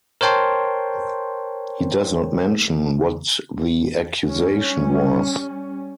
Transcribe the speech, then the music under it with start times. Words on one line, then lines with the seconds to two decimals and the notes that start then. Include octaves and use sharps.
He does not mention what the accusation was.
0.21 A#4 C5 C#5 G5 A5 C6
4.27 G3 C#4